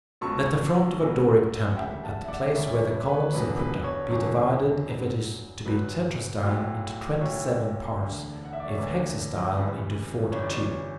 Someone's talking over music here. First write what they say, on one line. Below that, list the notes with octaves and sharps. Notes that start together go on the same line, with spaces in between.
Let the front of a Doric temple, at the place where the columns are put up, be divided, if it is to be tetrastyle, into twenty-seven parts; if hexastyle, into forty-two.
C#2 B2 F#3 A5 C#6
C#2 B2 F#3
F#5
E1 D2 C#3 G3 E5 G5
F#5 A5
E5
D5 F#5
E1 D2 C#3 G3 C#5 E5
C#5
B4
B4
C#5
E1 E2 D3 F#3 B4
B4
C#5
E1 E2 D3 F#3 C#5
G1 G2 F#3
G1 G2 F#3 B4
B1 A2 F#3
B1 A2 F#3 C#5
E1 D2 D3
F#5
E5
D5
C#5
E1 D2 D3 B4
G1 F#2 E3 G3
G1 F#2 E3 G3 C#5
D5
C#5